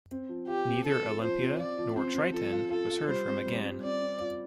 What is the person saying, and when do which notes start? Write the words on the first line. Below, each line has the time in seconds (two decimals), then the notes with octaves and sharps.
Neither "Olimpia" nor "Triton" was heard from again.
0.11 C4
0.29 F3
0.47 F4 G4
0.66 C4
0.85 C4 A4
1.04 F3
1.22 F3 C5
1.40 C4
1.59 F4 D5
1.78 F3
1.96 C4 C5
2.15 C4
2.33 F3 A4
2.52 F4
2.70 F4 A4
2.90 F4
3.08 G3 C5
3.27 C4
3.46 G3
3.64 C4
3.83 C4 D5
4.01 C4
4.20 F4